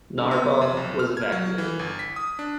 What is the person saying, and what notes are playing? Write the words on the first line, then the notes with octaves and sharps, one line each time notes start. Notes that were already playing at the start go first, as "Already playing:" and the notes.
Narva was evacuated.
D3
B3
F2
B1
F6
G#6
F#3
E3
G1
B6
D#6
D4